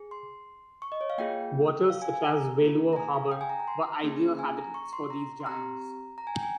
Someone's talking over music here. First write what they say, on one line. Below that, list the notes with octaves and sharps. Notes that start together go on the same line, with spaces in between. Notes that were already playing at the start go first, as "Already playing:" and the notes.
Waters such as Wailuo Harbor were ideal habitats for these giants.
Already playing: G#4
C6
C#6
D#5
C#5
F5
A#3 F4 G#4 G5
F5
G#5
G#5
A#5
A#3 F4 G#4
A#5
G#5
F5
G5
G#5
A#5
A#5
C6
A#3 C#4 G#4
G#5
A#5
C#6
C6
A#5
C6
C4 G4 A#5
A#5
G#5
G5
G#5